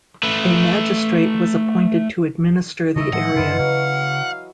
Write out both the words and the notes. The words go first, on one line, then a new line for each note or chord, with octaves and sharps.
A magistrate was appointed to administer the area.
A3 B4
C#3 G3 D#5 E5 C#6
A2 F3 G#3 F#5
F#2 C#3 E3 F4 D#5
C#3 F#3 F5